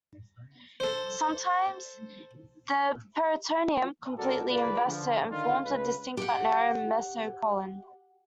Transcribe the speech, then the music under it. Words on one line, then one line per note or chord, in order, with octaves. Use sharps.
Sometimes the peritoneum completely invests it and forms a distinct but narrow mesocolon.
A4 C5
C#2 F#4 A4 A#4 D5
F4 G#4 B4 D5
D3 F3
D3 D#3 F4
C#2 B4
G4 F#5